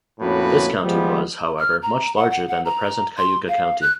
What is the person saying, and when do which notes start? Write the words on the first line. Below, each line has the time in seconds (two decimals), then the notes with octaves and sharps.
This county was, however, much larger than the present Cayuga County.
0.21 F2 A2 A#3 C#4 F#4 B4
0.84 F3 G3 G#3 B3
1.59 F6
1.82 A#5
2.16 F#5
2.31 F#5
2.48 F#5
2.65 A#5
3.18 C6
3.49 F5
3.81 F#6